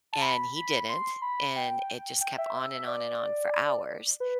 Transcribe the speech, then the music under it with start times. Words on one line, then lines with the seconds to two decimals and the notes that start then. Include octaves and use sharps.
and he didn't, and it just kept on and on and on for hours,
0.13 A5
0.22 B5
0.56 B5
0.89 C6
1.22 B5
1.56 G5
2.21 G5
2.38 E5
2.55 E5
2.71 E5
2.88 D5
4.20 B4